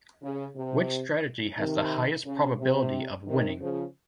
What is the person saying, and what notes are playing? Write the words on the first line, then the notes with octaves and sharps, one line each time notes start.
Which strategy has the highest probability of winning?
C#3
C3
C3 D#3
C#3
C3
C3 D#3
C#3 F3